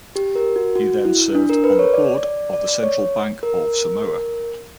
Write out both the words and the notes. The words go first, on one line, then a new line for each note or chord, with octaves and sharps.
He then served on the board of the Central Bank of Samoa.
G4
A#4
F#4
F#4
E4
D4
A#4
B4
C#5
D5
D5
D5
C#5
A#4